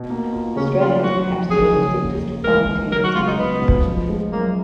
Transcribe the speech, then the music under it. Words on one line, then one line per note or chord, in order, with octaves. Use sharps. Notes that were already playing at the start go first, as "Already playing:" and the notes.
Australia has perhaps the world's strictest quarantine standards.
Already playing: B2
A#3
F4
C#3 C#4
F3 F4
F#3 F#4
F2
F2 G#4
C#3
A#3
C#4
G#2 A#4
D#3
F#3 A#4
F#4
C#2 F4
D#4
C#2 B3
B2
F3
G#3
F#2 A#3